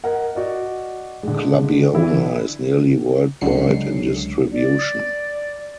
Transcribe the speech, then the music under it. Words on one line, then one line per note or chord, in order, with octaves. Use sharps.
"Clubiona" is nearly worldwide in distribution.
A#4 D#5 F#5
F#4 D5 D#5
D3 G#3
D3 E3 E4
C#2 D3 F#3 G#3 C7 C#7
D5